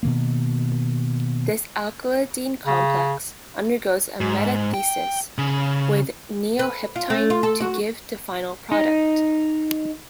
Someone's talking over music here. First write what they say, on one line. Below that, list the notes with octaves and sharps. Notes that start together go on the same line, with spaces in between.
This alkylidyne complex undergoes a metathesis with neoheptyne to give the final product.
B2 D#3 A#3
C#3
G#2
G5
C#3
B4
F4
A3
F4
A4
F#4
D#4